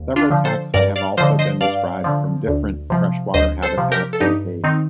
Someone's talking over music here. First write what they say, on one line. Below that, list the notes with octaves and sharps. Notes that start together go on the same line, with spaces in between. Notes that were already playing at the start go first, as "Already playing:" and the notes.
Several taxa have also been described from different freshwater habitats and caves.
Already playing: D#2
D4 F4
D3 F3
A4 C5
G2 A#4 D5
D5 F5
D3 F3 C5 D#5
C5 D#5
G2 D5 F5
D3 F3
D2
C3 F3
D2 C5 D#5
A4 C5
C3 F3
G4 A#4
A4
G2 D#4 G4
D#3 C4 D#4